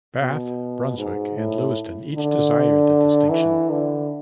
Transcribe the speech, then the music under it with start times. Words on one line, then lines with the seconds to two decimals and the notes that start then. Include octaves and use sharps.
Bath, Brunswick, and Lewiston each desired the distinction.
0.21 B2
0.98 G#2
1.37 A2
2.15 D3
3.31 E3
3.70 D3